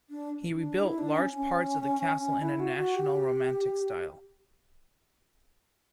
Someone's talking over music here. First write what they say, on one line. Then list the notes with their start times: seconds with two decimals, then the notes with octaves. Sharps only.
He rebuilt large parts of the castle in a national romantic style.
0.10 D4
0.54 D4
0.81 E4
0.98 D4
1.16 C#4
1.34 C#4
2.41 E4
2.60 F#4
2.77 F#4
2.96 G4